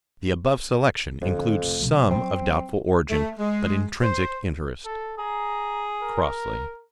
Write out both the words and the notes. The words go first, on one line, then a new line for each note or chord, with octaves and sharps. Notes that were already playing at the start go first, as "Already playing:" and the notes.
The above selection includes some of doubtful origin but intrinsic interest.--Crossley.
F2 D3
F1
C3 F#3
F#3 C4
A3
G#3
C5
A4
G#4 A#5
A#4